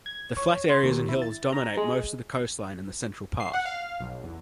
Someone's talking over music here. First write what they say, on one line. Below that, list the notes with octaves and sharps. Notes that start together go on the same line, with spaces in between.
The flat areas and hills dominate most of the coastline and the central part.
G#6
C#5
C6
D#2
E4
A6
A#5
G#3
C7
F#5
F5
B1
E2